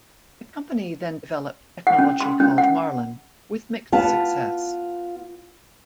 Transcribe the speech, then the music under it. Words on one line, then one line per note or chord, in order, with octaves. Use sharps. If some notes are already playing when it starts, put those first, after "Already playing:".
The company then developed technology called Marlin, with mixed success.
F#5
C#4
C6
C#4
F#5
B3 F4 A5